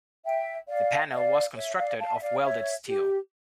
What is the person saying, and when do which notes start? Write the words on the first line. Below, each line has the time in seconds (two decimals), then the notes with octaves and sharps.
The panel was constructed of welded steel.
0.25 E5 G5
0.68 D5 F5
1.12 D5 F5
1.56 C#5 E5
1.78 D5 F5
1.99 F5 A5
2.16 E5
2.21 D5 F5
2.43 C#5 E5
2.86 G4